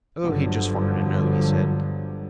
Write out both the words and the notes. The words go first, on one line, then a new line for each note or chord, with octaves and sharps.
Oh, he just wanted to know, he said.
G1 G2 D3 F3 F#3